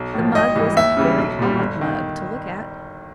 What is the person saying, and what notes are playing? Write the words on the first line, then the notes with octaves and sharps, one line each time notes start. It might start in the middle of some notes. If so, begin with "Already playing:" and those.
The mug was a very odd mug to look at.
Already playing: B1
A2 F3
G#1 D#5
G#2 E3 G3
D#2 E5
C#3 E3 G3
B1
A#2 G3
G1
D#3